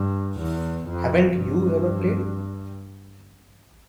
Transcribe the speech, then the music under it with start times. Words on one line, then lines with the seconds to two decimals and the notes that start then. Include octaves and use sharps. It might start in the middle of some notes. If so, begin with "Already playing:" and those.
Haven't you ever played?
Already playing: G2
0.39 E2
0.88 F2
1.37 G2